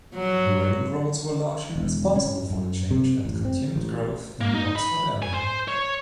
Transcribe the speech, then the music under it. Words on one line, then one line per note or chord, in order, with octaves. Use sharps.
Railroads were largely responsible for change and continued growth in the Oxford area.
F#3
E1
C#4
F#2
C3
A1
C4
A1
A#3
D#4
B5
G#5
C5
C#5